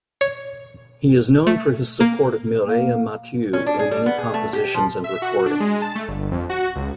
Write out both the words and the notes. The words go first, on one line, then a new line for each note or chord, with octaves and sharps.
He is known for his support of Mireille Mathieu in many compositions and recordings.
C#5
A3
A#3
A#3
C#4
D4
G#4
G3
B3
G#4
A3
G4
F3
E5
F#4
D4
G#3
A5
A3
G1
F2
F#4
C#2